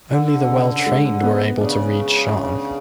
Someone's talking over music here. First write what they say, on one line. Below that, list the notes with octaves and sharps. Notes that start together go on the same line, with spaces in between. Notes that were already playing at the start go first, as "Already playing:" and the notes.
Only the well-trained were able to read Shan.
D3 D4
C#3
G#3
B3
C#3 D4